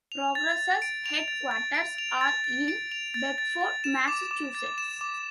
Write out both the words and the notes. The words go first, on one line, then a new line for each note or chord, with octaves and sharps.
Progress's headquarters are in Bedford, Massachusetts.
F7
A6
A6
D7
F7
A6
A6
D7
F7
A6
A6
D7
F7
A6
A6
A6
E7
D6
D6
A6
E7
D6